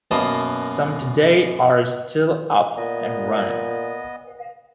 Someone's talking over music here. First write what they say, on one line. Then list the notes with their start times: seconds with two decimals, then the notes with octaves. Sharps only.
Some today are still up and running.
0.11 F#2 B2 A#3 D#5 A5
2.77 A#2 B3 D#5